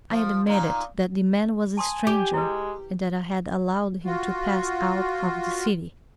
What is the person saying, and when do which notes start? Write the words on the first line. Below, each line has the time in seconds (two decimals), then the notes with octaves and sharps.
I admitted that the man was a stranger, and that I had allowed him to pass out of the city.
0.11 F3
0.47 A#2 D#4
1.77 G#5 A5 C6 D#6
2.07 G4
2.34 G#3 E4 B4
4.05 F4 F#4